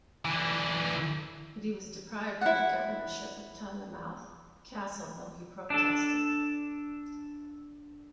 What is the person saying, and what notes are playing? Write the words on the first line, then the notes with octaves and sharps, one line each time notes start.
But he was deprived of the governorship of Tynemouth Castle, though he protested.
D3 E3
E4 F#5
D4 A4